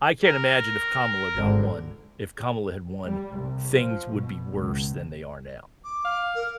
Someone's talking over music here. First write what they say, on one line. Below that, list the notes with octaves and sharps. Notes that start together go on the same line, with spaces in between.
I can't imagine if Kamala got won. If Kamala had won, things would be worse than they are now.
A#4
G#1 D3
G3
C2
F3
B2
C#2
D6
F5
A#4